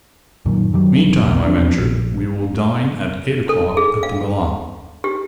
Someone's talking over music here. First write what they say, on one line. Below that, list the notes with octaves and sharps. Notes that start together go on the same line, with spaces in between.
"Meantime," I ventured, "we will dine at eight o'clock at the Milan."
F#2 A#2 D#3
F#2 D#3 F#3 G3
E1 B1 A#3
F3 C4 D4
A#1
A4
G#4
F5
G4